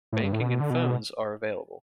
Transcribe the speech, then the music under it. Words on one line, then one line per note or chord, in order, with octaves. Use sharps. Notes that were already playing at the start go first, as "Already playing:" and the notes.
Banking and phones are available.
A2
G2
A2
B2
D3
B2